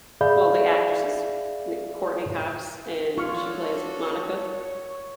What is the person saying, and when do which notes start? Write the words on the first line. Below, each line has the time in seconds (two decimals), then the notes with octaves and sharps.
well, the actress is like Courteney Cox, and she plays Monica
0.21 G#4 D5 E5 F5 B5 G6
3.18 D4 F4 F#4 A4 C#5 C#6 F6